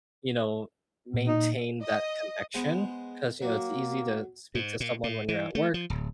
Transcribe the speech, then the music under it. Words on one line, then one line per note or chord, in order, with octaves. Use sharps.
you know, maintain that connection. 'Cause, you know, it's easy to speak to someone when you're at work,
A#2
D#4
D#5
G#3 B3 C5
F#3 A#3
G#2
A#2
A2
E3
A3
F3
D1